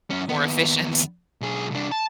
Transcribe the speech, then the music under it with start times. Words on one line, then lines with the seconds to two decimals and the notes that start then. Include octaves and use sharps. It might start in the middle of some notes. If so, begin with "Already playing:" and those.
e more efficient.
0.10 F#2 C#4
0.29 D#2 B3
1.41 B1 G#4
1.71 C2 D4
1.92 A5